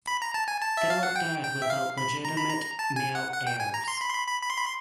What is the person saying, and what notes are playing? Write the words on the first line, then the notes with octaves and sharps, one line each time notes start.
Philip died without legitimate male heirs.
B5
A#5
A5
G#5
A5
E5
F5
F#5
G5
G5
E5
F5
B5
A#5
B5
A#5
A5
G#5
F#5
F#5
G5
G#5
A#5
C6
B5
C6
B5
B5
B5
C6
B5
C6